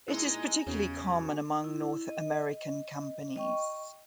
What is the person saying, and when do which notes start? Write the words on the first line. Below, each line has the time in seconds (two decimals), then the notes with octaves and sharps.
It is particularly common among North American companies.
0.08 A#2 G#3 D#4 E4
0.67 E2 C#3 B3 C#4 F#4
1.64 E4
2.08 D#5
3.36 D#5 G5 C#6